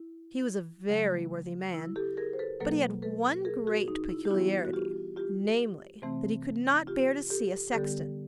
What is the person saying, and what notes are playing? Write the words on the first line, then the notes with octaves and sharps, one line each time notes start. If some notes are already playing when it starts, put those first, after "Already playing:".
He was a very worthy man; but he had one great peculiarity--namely, that he could not bear to see a sexton.
Already playing: E4
C#3 F#3 A3
E4
G4 A4
G#4 A#4
C5
A4 B4
B2 F#3 A#3 A4 B4
A4 B4
G#4 A#4
F#4 G#4
D#4
E4
G4
E3 G3 B3 E4 F#4
F#4
F4 G4
F4 G4
C3 E3 A3 C4
F4 G4
G4 A4
D3 G3 B3 G4 A4